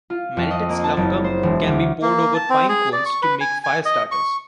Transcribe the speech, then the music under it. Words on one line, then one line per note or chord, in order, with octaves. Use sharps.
Melted slumgum can be poured over pine cones to make fire starters.
F4
F2
D#5
A#3
A5
F#1
C5
E1
D2
A#3
A5
C4
G#4
D5
C#6
B4
G#5
G#5
D#5
C#6